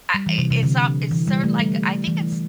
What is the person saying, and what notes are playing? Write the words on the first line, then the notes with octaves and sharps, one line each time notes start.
I i it's so it's sorta like, I think it's
G3
E3
C3
C3
D3
E3
G3
A3
G3
E3
E3